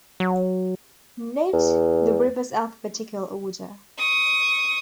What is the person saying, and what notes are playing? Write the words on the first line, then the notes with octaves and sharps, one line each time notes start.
Note the reverse alphabetical order.
F#3
E2
C#6 D#6